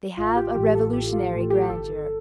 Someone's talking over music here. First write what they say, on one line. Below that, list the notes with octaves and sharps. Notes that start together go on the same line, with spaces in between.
They have a revolutionary grandeur.
A1 F4
G4
A2 E3 G4
A4
A1 G4
F4
A2 E3
G4
G1 A4